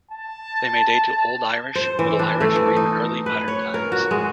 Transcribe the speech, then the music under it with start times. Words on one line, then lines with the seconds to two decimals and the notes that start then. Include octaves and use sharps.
They may date to Old Irish, Middle Irish or even early modern times.
0.11 A5
1.75 C5
1.99 E3
2.19 D4
2.40 A3
2.56 E3
2.76 D#4
3.26 B4
3.48 C#5
3.74 A#4
3.92 F#4
4.11 G#3